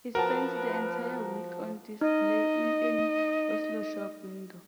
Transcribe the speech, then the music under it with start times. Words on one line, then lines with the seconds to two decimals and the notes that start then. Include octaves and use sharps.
He spent the entire week on display in an Oslo shop window.
0.15 F3 F#4 A#4 B4 A5
2.01 D#4 D#5